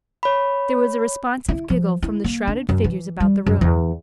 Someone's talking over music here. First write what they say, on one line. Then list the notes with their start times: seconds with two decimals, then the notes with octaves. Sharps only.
There was a responsive giggle from the shrouded figures about the room.
0.23 C#5 B5
1.49 E4
1.70 F3
2.02 E4
2.24 A#3
2.48 D4
2.69 F#2
2.84 E3
3.20 G3
3.46 F#2
3.61 E2